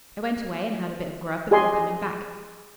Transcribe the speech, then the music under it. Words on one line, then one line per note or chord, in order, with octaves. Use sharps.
I went away and had a bit of grub before coming back.
G4 G#4 D#5 G#5 C6